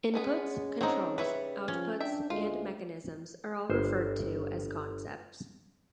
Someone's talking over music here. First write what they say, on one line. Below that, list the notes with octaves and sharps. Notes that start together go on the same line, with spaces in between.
Inputs, Controls, Outputs, and Mechanisms are all referred to as concepts.
G#3 B3 C#4 G#4 B4
C#3 C4 D4 D#4 C#5 F#5
G3 B4 C#5 E5
F3 C#4
D4 E5 G5
D2 G#3 F4
G1 C5